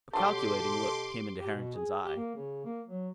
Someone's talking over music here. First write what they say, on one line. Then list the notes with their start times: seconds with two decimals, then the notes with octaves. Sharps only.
A calculating look came into Harrington's eye.
0.13 B2 F#3 G4 A4 A5 C6 D6
1.40 G4
1.54 B2
1.76 G#4
2.04 G4
2.16 A#3
2.35 C#3
2.65 A#3
2.86 F#3